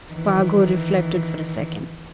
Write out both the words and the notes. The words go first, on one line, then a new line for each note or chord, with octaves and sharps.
Spargo reflected for a second.
D#3 E3